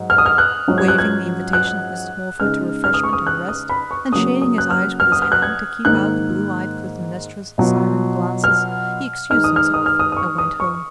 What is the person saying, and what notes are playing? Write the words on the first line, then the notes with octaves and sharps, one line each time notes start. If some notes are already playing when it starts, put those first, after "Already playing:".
Waiving the invitation of Mrs. Morpher to refreshment and rest, and shading his eyes with his hand to keep out the blue-eyed Clytemnestra's siren glances, he excused himself, and went home.
Already playing: G#2 F#3
F6
D#6
F6
F#6
G#2 F#3 C#4 F4
G#6
F#6
G#6
F#6
C#3 G#3 D#4 F6
F6
D#6
C#6
D#6
F#6
D#6
B5
C#6
C#3 F#3 A#3 D#6
D#6
F#6
F6
F6
D#6
F6
F#6
G#6
G#2 D#3 A#3 F#6
B2 F#3 B3 F4
F6
D#3 G#3 D#4 F6
D#6
F6
D#6
F6
D#6
D#6
C#6
D#6
C#6